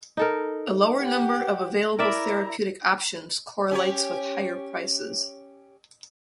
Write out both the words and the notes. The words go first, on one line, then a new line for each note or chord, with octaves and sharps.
A lower number of available therapeutic options correlates with higher prices.
D#4 A4 A#4
G4 F#5
E4 A#4 D5 E5 A#5
C#4 G4 C#5